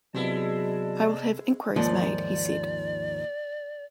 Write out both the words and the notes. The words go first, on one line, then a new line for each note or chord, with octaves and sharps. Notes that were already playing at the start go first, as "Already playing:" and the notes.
"I will have inquiries made," he said.
C3 F#3 G#3 B3 E4 D5 D#5 A5
D#2 G#2 F3 D5